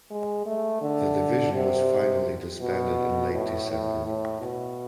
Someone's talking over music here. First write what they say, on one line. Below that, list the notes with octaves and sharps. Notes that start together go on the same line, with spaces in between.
The division was finally disbanded in late December.
G#3
A3
D3
C3
B2
A2
A2
A2
B2